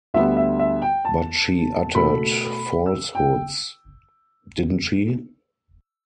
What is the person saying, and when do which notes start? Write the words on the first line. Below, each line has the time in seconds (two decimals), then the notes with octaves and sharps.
But she uttered falsehoods, didn’t she?
0.14 D2 D3 G3 B3 E5
0.37 E5
0.59 E5
0.82 G5
1.05 A5
1.95 B2 A3 B5
2.86 E6
3.15 G5